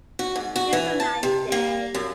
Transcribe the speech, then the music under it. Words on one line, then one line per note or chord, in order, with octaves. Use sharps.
It’s a nice day.
F#4
G#2
F#4
E3
A5
C3
A#3
F#2